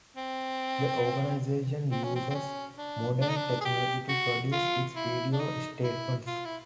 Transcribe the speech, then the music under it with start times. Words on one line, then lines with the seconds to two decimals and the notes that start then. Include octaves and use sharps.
The organization uses modern technology to produce its video statements.
0.16 C4
1.91 C4
2.03 C#4
2.15 C4
2.30 C4
2.35 C#4
2.78 D4
3.21 D4
3.29 D#4
3.36 D4
3.61 G#4
3.65 G4
4.09 F#4
4.52 F4
4.96 E4
5.33 D4
5.40 D#4
5.83 E4
6.27 F4
6.45 E4